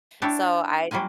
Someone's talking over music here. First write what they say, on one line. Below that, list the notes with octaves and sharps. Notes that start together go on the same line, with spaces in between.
so I
D4 E4 C#5 G5 A5
F#3 G3 A#3 F4 G#5